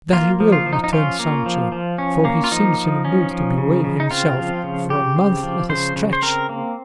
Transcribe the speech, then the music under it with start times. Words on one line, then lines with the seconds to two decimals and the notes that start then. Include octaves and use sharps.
"That he will," returned Sancho, "for he seems in a mood to bewail himself for a month at a stretch."
0.13 A#3 F4
0.40 F3
0.52 F4
0.66 F3
0.73 D#4
0.84 D#4
0.93 C#4 F4
1.19 A#3
1.46 F3
1.72 F3
1.98 C#4
2.25 A#3
2.44 F4
2.51 F3 D#4
2.78 F3
3.05 C#4
3.31 F3
3.58 C#3
3.84 C#3
4.00 D#4
4.11 C4 F4
4.37 F3
4.64 C#3
4.90 C#3 G4
5.16 C4
5.43 F3
5.69 C#3 C5
5.96 C#3
6.13 C5
6.22 C4 A#4
6.49 A#3